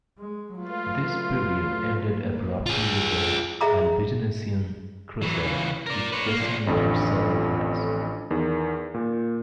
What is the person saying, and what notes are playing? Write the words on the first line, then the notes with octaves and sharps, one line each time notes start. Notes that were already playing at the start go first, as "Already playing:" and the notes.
This period ended abruptly with the Albigensian Crusade, which decimated southern France.
G#3
F#3 A3 F4 B4
A#3
F4 G#4
G#4 D#5 E5 A#5 D6
E3 F#3
C#3 E3
A#4 D5
B4 C#5
A#3
A#2 F3
A1 F2 D3
E2 D#3
A#2